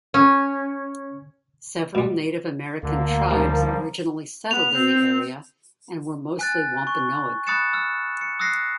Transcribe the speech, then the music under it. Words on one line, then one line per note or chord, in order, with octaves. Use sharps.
Several Native American tribes originally settled in the area and were mostly Wampanoag.
C#4
B2 G3
D2 D3 A#3
D#2 F3 G3
B3 F7
C4
G#5 F#6 A6
C#6
B5 D#6 F#6 A6 C#7 E7
E6 F6
C#7
D#6 E6 F#6 A#6 C7